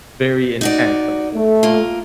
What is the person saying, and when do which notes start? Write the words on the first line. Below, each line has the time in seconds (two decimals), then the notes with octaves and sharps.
very intense over there, you know?
0.61 D#4 F#4 D5
1.34 A3
1.63 A#3 F4